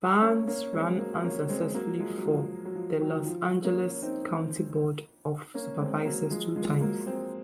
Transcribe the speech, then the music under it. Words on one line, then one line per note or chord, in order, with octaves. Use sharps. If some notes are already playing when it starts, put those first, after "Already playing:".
Barnes ran unsuccessfully for the Los Angeles County Board of Supervisors two times.
A#3 C#4
A#3 C#4
G#3 C4
F#3 A#3
A#3 C#4
G#3 C4
F#3 A#3
F3 G#3
F#3
F3
F#3
F3
D#3 F#3
D#3
F3
A#3 C#4
C4 D#4
A#3 C#4
G#3 C4
F#3 A#3
F3 G#3
F3 G#3
F#3 A#3
G#3 C4